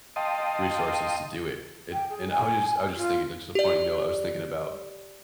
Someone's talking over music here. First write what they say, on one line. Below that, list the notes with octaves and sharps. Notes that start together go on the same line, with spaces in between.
resources to do it. It and I was just I was just thinking, like, it's a funny note, I was thinking about.
D#5 F5 G5 A5 C6 D#6
G5
G#4
G#5
F4
G4 D5